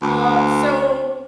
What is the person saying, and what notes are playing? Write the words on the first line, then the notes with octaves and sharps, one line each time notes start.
Uh, so
D2